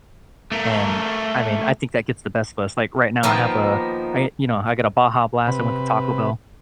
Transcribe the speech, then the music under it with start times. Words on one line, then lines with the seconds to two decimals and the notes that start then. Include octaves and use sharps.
and I mean, I think that gets the best of us. Like, right now I have a I you know, I got a Baja Blast; I went to Taco Bell.
0.52 A3 A#4
3.23 D#3 F3 A#3 B3
5.47 C3 B4